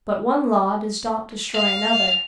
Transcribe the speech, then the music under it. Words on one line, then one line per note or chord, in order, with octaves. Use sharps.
But one law does not destroy another.
F5